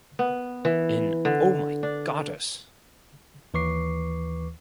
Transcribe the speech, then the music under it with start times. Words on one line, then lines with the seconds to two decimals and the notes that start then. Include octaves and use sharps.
In Oh My Goddess!
0.19 B3
0.65 E3
1.25 D3
1.83 D4
3.54 D#2 E3 B4 C#6 D6 C7